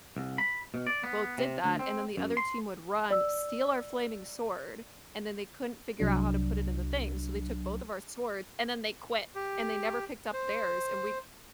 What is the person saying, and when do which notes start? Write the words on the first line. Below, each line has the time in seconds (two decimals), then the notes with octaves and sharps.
both did that, and then the other team would run, steal our flaming sword, and then they couldn't figure out how to put it in the thing, so they took both of our swords, and then they quit, and they never picked up theirs, and we
0.17 C2
0.38 B5
0.74 B2
0.87 D5
1.04 B3
1.38 C3
1.64 D2
1.79 C4
2.17 F#2
2.37 C6
3.11 D5 E6
6.00 C2 F#3 D4
9.35 G4
10.33 C5